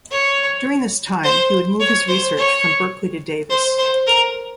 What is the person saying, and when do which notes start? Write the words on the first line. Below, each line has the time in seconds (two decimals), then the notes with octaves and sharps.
During this time, he would move his research from Berkeley to Davis.
0.11 C#5
1.24 C5
1.80 C#5
2.08 C5
2.37 C#5
3.50 C5
3.78 C5
4.07 A#4